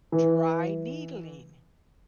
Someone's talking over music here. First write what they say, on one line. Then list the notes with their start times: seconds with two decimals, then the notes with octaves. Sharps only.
dry needling?"
0.12 E3